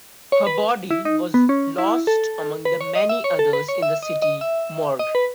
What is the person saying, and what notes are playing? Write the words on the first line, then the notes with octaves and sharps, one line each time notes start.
Her body was lost among the many others in the city morgue.
C#5
B4
E4
D#4
B3
C#4
E4
A4
B4
C#5
D#5
E5
C#5
A4
B4
C#5
E5
D#5
D#5
E5
D#5
B4